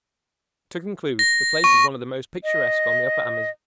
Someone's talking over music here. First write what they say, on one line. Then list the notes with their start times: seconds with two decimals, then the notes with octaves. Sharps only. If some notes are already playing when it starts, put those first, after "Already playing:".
To conclude, the place is one of the most picturesque on the Upper Amazon.
1.19 A#6
1.64 C#6
2.44 D#5